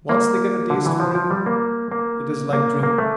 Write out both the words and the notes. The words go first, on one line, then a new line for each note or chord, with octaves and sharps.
Once they get a taste for it it is like drink.
A#3
D3
E3
F3
F3
G3
A#3
A#3
A#3
A#3
A3